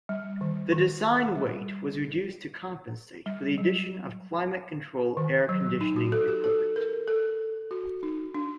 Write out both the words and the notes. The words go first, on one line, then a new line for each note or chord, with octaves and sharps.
The design weight was reduced to compensate for the addition of climate-control air-conditioning equipment.
G3
D#3
D#3
G3
G3
F#3
D#3
F#3
D#4
F#4
A4
G4
A4
A#4
A4
F#4
D#4
D4